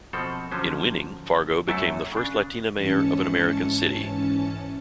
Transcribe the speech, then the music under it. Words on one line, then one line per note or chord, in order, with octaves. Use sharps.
In winning, Fargo became the first Latina mayor of an American city.
B2 F3 C4 A4
D3 F3 F#3 C#4 C5
F#2 F#3 A3 E4 A4 A5
C#3 D4
G#2 E3 C#4 A5 C#7